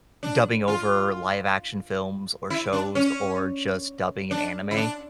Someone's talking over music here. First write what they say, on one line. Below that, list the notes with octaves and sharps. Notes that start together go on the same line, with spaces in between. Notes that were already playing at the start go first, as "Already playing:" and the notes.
dubbing over live action films or shows or just dubbing an anime,
D4
F4
E4
D4
C#4
D4
E4
D4